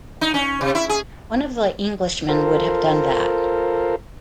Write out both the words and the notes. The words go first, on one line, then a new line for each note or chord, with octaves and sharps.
One of the Englishmen would have done that.
D#4
C#4
C3
E4
G#4
F4 A4 A#4 C5